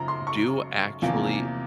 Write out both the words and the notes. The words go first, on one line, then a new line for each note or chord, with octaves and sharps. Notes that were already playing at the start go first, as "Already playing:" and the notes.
do actually
Already playing: F#2 C#3 F3 A#5
C6
C#6
E2 C3 F3 A#3